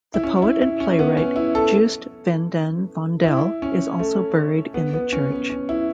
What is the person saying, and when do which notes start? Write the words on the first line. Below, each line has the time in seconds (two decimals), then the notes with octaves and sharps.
The poet and playwright Joost van den Vondel is also buried in the church.
0.14 E4
0.24 C#4
0.42 E4
0.61 E4
0.80 C#4
0.99 B3
1.17 C#4
1.36 E4
1.55 A4
3.24 E4
3.62 C#4
3.99 A3
4.74 B3
4.94 B3
5.12 C#4
5.31 B3
5.50 C#4
5.69 E4